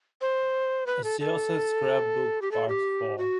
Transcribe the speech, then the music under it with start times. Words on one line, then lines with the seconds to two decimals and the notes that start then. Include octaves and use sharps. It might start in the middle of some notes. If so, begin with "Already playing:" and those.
A Syosset Scrapbook Part Four.
0.21 C5
0.87 B4
1.04 A4
1.20 A4
2.42 G4
2.51 A4
2.68 G4
3.18 F#4